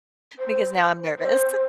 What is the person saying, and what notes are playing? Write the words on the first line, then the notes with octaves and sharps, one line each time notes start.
Because now I'm nervous.
C5
C5